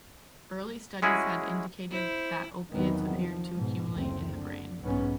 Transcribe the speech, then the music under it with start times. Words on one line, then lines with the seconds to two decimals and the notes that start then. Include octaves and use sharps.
Early studies had indicated that opiates appeared to accumulate in the brain.
1.02 G#3 C#4 E4 F#4 G#4
1.91 E4 C5
2.71 E2 C3 D#3 E3 F#3 B3
3.13 F3
3.55 G#2 B2
3.91 F#1 D2 C4
4.35 D3
4.81 B1 G#2 B3 C#4